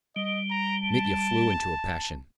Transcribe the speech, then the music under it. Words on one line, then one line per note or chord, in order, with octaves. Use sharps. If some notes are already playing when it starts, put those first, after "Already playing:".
Mitya flew into a passion.
G3 D#5
A#5
A5